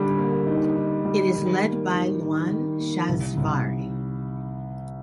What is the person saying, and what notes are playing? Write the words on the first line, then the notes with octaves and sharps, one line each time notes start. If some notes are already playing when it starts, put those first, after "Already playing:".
It is led by Luan Shazivari.
Already playing: D3 G3
A#3
D#4
D#4
G3
D#3
A#3
D#3
D#3
D#3
A#3
C2
C2